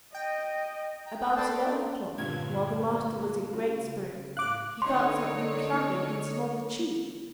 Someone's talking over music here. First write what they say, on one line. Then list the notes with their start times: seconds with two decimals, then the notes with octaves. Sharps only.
About eleven o'clock, while the master was in great spirits, he felt something clammy hit him on the cheek.
0.14 D#5 G5
1.06 G5 A#5
1.19 G5
1.37 A4 B4 C5 D5 G5 A5
1.50 D6
1.64 A3 D#4 F4 A#4 D5
1.80 D4
2.18 G2 A#2 D3 B3 C#4 B4 G#6
3.52 C#3 F4 F#4
4.37 A2 F5 D6 F#6
4.82 D3 D#4 C#5 C6